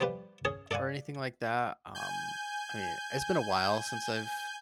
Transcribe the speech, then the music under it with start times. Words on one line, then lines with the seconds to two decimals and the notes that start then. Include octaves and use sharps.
or anything like that, um, I mean, it's been a while since I've,
0.01 F3 G3 G4 B4
0.45 C#4 G#4 C#5
0.71 A4 D5 F5 F#5 G#5
1.95 G#5 G6